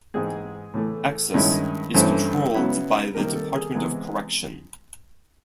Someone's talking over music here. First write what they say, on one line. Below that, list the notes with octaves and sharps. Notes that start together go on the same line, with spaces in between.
Access is controlled by the Department of Correction.
G#2 E3 G#3 C4 G#4
A2 E3 A3
G2 D#3 G#3 C#4 E4
G2 E3 A3 C#4 E4 C5
C#3 F#3 B3 E4
C3 D#3 G3 A#3 A#4
A4
G#4
C3 E3 G#3 B3